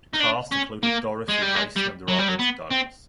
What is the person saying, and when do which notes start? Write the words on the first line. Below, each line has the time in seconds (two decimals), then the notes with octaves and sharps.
The cast included Dorothy Hyson and Robert Douglas.
0.14 D#4
0.20 D4
0.52 C#4
0.83 A#3
1.30 G#3
1.43 G3
1.56 G#3
1.76 G3
2.08 F#3
2.18 G3
2.28 F#3
2.39 B3
2.71 C4